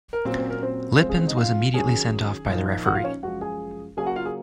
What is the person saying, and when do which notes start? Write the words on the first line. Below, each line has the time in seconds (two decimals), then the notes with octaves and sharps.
Lippens was immediately sent off by the referee.
0.13 A#4
0.25 A#2 F#3 C4 C#4 C5
0.38 C4 C5
0.50 A#4
0.63 C4 C5
0.99 C3 F3 G#3 C4 C#4 C5
1.09 G#4
1.18 C4 C5
1.27 D#4 D#5
1.37 F4 F5
1.74 D#3 F#3 C#4 G#4 G#5
2.48 A#2 F3 A#3 D#4
2.86 F#4 F#5
2.95 F4 F5
3.04 C#4 C#5
3.22 F#2 F3 G#3 F#4 F#5
3.41 G#4 G#5
3.97 C#3 F#3 A#3 C#4 G#4 G#5
4.06 F#4 F#5
4.16 F4 F5
4.25 G#4